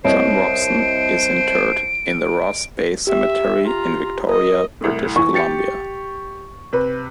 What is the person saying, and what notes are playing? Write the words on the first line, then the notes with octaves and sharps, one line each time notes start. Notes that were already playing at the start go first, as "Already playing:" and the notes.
John Robson is interred in the Ross Bay Cemetery in Victoria, British Columbia.
C2 C5 C#5 D#5 D7
G4 E5
F4 A#5
A#4 D#5
C2 A2
E3 C#6
G4 A6 C#7
C3 B4